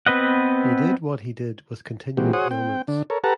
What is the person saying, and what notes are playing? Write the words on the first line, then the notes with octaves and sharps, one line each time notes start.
He did what he did with continuing ailments.
B3 C4 B4 D#5 F#5
A#2 E3 G#3 C4 F#4 G4
F#4 G#4 C5 C#5 F#5 D#6
C4 G5
D3 D4
A4 A#4 C#5
G4 A4 B4 F#5 A5 A#5